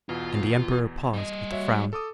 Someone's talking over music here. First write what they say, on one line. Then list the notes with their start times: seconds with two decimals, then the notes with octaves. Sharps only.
And the Emperor paused, with a frown.
0.09 E2 B2 F4
1.13 G3 D#5
1.52 F#4 C#5 E5
1.93 A4 D6 D#6